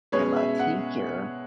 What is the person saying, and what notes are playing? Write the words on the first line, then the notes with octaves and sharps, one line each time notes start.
and my teacher
B2 G#3 C#4 G#4 B4 C#5
E5
F#5